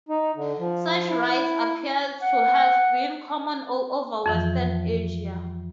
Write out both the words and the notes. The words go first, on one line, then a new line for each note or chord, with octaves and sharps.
Such rites appear to have been common all over Western Asia.
D#4
D3
F3
E4
F#5
F2 E3 F3